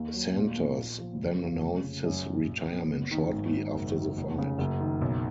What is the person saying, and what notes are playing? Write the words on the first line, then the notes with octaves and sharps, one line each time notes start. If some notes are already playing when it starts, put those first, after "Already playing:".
Santos then announced his retirement shortly after the fight.
Already playing: D#2 A#3
F#3
A#2
B3
A#1
F3
F#1
F3
F1
C#3
F#2
F#3
A#2
B3
F#1
D#3
G#1
D#3
F#1
D#3
F1
C#3
F#1
D#3
B1